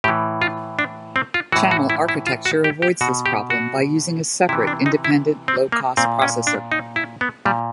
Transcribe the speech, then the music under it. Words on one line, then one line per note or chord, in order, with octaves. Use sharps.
Channel architecture avoids this problem by using a separate, independent, low-cost processor.
A2 E3 G4
F4
D4
C4
F4
A2 E3 F#4
F#4
E4
E4
F4
F#4
G4
G4
B2 F#4
G4
F#4
C3 E3 E4
D4
D#4
E4
C4
A#3
A#2 C4
C#4
D4
D#4
E4
B3
A#2 G3